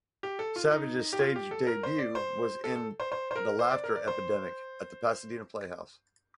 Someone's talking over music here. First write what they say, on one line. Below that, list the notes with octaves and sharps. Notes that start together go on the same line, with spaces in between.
Savage's stage debut was in "The Laughter Epidemic" at the Pasadena Playhouse.
G4
A4
F4
D#4
G4
F4
G4
A4
A#4
C5
D5
C5
A4
A4
C5
C5
C5
A#4
C5
D5
A#4
D5
C5